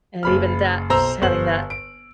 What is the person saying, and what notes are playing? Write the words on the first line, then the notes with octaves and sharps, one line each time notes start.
and even that, just having that,
F#1 B5 F6
B1 C5 A#5 E6
G1 C5 F#7
D7